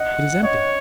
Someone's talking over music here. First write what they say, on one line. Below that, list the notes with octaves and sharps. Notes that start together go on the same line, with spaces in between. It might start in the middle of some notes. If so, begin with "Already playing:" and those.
It is empty.
Already playing: D#5 F#5
C#5 D#5